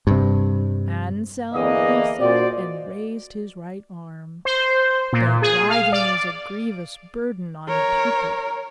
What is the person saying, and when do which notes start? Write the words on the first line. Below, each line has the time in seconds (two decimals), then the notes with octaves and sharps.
'Anselm,' he said, and raised his right arm, 'the Dragon is a grievous burden on the people.
0.07 G2 C3
1.53 E2 D3 E3 A#3 D#5
2.20 A#2 F#4 C5 D5
4.45 C5
5.13 A#2
5.42 G#4
5.70 F5
5.92 D5
7.68 A#4 C#5